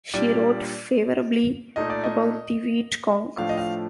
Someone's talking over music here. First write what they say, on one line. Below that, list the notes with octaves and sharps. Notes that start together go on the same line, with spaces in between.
She wrote favorably about the Viet Cong.
A#2 G3 D4 D5
A#2 A3 D#4 D#5
D5
D#5
A2 F3 A3 D4 F5
D#5
F5